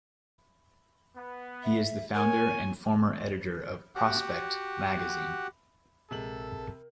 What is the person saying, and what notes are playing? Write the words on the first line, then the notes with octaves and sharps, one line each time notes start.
He is the founder and former editor of "Prospect" magazine.
B3
E5
A#4 C#5 G#5
F#4 G4 F#5
A#1 C3 G#3 A4 A#4 F#7